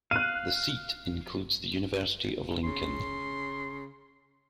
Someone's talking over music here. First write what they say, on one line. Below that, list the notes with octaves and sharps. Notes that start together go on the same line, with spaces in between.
The seat includes the University of Lincoln.
F5 F#6 D#7
C#3 C6